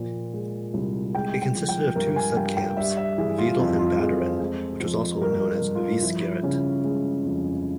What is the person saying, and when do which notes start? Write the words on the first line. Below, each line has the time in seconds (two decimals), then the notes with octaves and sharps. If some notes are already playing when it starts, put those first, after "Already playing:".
It consisted of two subcamps, "Veidal" and Badderen, which was also known as "Veiskaret".
Already playing: A#2 F3
0.34 G#3
0.74 C2
1.15 G#3 G5
1.42 G5
1.55 F3
1.69 G5
1.95 G2 A#4
2.16 G#5
2.36 G2 G5
2.57 G5
2.77 G3 E5
2.97 E5
3.18 E3 G#4
3.38 F4
3.58 F2 F4
3.79 F4
3.99 F2 G#4
4.20 C5
4.40 G#3
4.80 F3
5.21 G2 A#4
5.48 A#4
5.62 G2
5.75 F4
6.02 F3 E4
6.43 C#3 C#4
6.84 G#3
7.25 F2